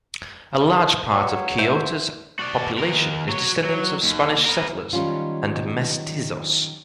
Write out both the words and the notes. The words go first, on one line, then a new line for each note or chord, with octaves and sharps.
A large part of Quillota's population is descendants of Spanish settlers and Mestizos.
F#3
C5 E5
F#4 D5
D#2 A#4
F#3 C#5
F#3
D#2
B3 A#4
D#3 F#3 G3 C#4 F4